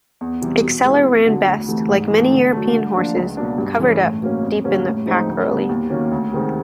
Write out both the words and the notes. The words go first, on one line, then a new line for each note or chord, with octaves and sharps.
Exceller ran best, like many European horses, "covered up"-deep in the pack early.
E2
C3 E3 G3
B2
G#3 B3 E4
F2
D3 F#3
D2
C3 E3 A3
G#2
E3 A3
D3
F#3 A3
D3
F3 A#3 D4 F4
C#2
B2 F#3 A#3 D4
G2
E3 G#3 C#4
A2
F#3 A#3 C#4
F2
D3 G3 A#3 C#4
A2
F3 G#3 C4 D#4
D2
D3 G3 B3 D4
D#2
D#3 F#3 A#3 C#4
D2
C3 D#3 G#3 C4